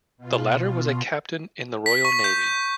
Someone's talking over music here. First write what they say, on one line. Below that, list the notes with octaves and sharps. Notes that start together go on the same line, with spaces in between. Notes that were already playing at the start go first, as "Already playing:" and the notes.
The latter was a Captain in the Royal Navy.
B2 F4
B6
C#6
G6